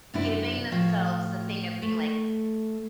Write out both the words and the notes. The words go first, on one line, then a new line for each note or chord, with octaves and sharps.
giving themselves the thing of being like,
F#2 C3 C4 D4 E4
A2 F3
A3